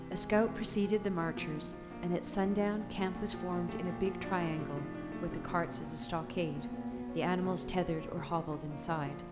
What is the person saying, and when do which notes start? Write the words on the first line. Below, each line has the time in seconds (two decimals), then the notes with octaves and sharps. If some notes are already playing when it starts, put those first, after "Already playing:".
A scout preceded the marchers, and at sundown camp was formed in a big triangle with the carts as a stockade, the animals tethered or hobbled inside.
Already playing: C3 E3 C4
0.12 G#3
0.30 C3
0.48 E3
0.66 C3
0.84 G#3
1.02 C3
1.19 A#3 B3
1.37 F3
1.54 D#4
1.73 F3
1.90 A#3 D4
2.09 F3
2.27 D#4
2.45 F3
2.62 F3
2.80 A#2
2.98 A3
3.15 A#2
3.33 F3 G4
3.52 A#2
3.69 A3 G4
3.87 A#2
4.05 F3 F#4
4.24 D4
4.41 A3 F4
4.59 C3
4.77 F3 D#4
4.95 D4
5.12 A3
5.31 C3
5.48 F#3 C4
5.67 A#2
5.84 A#3 B3
6.01 A#2
6.19 F#3 B3
6.37 A#2
6.55 A#3
6.73 A#2
6.92 F#3
7.09 C#4
7.27 A3
7.45 C#3
7.63 F#3
7.80 C#4
7.99 A3
8.17 C#3
8.34 F3 C4
8.52 D#4
8.70 A#3 C#4
8.87 D3
9.07 F3